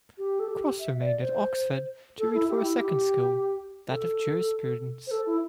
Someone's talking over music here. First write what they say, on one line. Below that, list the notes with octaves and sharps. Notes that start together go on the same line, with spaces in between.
Cross remained at Oxford to read for a second school, that of Jurisprudence.
G4
A4
G4
E5
D5
C5
A4
E4
G4
E4
G4
A4
C5
A4
E4